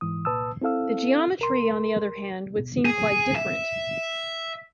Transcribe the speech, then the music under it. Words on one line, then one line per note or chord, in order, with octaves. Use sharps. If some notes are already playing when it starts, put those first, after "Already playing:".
The geometry, on the other hand, would seem quite different.
G#2 E3 D#6
C2 A#2 B4 A5 D#6 E6
C4 E4 A4 F5 E6
C2 A#4 C6
B2
G#4
E5